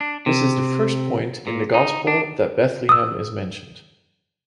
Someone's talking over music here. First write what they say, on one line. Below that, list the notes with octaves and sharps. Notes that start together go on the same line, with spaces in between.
This is the first point in the Gospel that Bethlehem is mentioned.
D4
C3
A#2
D#4
D4
D#6 E6